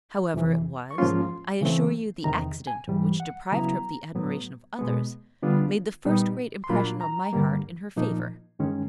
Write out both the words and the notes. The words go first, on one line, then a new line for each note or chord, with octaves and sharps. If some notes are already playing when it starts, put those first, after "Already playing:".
However it was, I assure you the accident which deprived her of the admiration of others made the first great impression on my heart in her favour.
F2 C3 E3
C#6
G#2 F3 A#3 C#4 F4 C6
C#3 E3 A3 C4
E2 C3 D#3 A#5
G#5
G#2 E3 G3
F#5
C#3 F#3 B3 E4 A#5
A2 F#3 B3
B2 G#3 B3
D3 G3 B3 D4 F4
A#2 G3 B3 D#4
C6
A#2 F#3 A#3 D4 F4 B5
A#5
G2 D3 G3 A#3
A#2 F3 A#3 D#4
G2 D#3 G#3 C#4